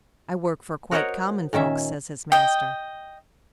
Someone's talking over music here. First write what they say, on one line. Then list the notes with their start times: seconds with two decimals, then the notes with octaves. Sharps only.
I work for quite common folks,' says his master.
0.91 F#4 A#4 C5 C#5 D#5 F#5
1.53 A#2 D#3 C#4 E5
2.32 D#5 G5